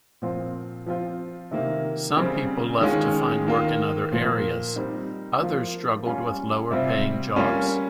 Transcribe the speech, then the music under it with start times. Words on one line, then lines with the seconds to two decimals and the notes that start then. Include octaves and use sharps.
Some people left to find work in other areas; others struggled with lower-paying jobs.
0.22 A#2 F3 C4 F4
0.86 F3 C4 F4
1.51 C3 D#3 A#3
2.17 C#3 G3 C4
2.81 D#3 G#3 C#4 F4
3.47 D#3 A#3 F4
4.11 A#2 F3 A#3 F4
4.76 G3 C4 D#4
5.41 F3 A#3 F4
6.06 G3 C#4 F4
6.71 C3 G3 C4 F4
7.36 G3 A#3 C#4 F4